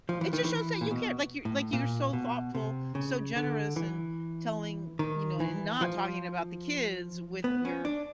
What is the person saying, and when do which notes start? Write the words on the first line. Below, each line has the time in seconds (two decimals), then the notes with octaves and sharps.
It just shows that you cared, like, you like, you're so thoughtful, so generous, and telling you know, and not talking about the kids with your
0.09 F3
0.21 E3
0.33 D#3
0.45 E3
0.81 A#2
0.91 B2
1.45 A2
1.73 A#2
2.13 B2
2.55 C3
2.95 C#3
3.36 D3
3.76 E3
4.99 D#3
5.40 E3
5.81 F3
7.44 B3
7.65 C#4
7.85 D4